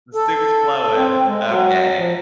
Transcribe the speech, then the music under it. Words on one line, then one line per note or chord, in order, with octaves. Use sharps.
"The soup's flowing." Okay.
A4
C4
G#3
F#3
F3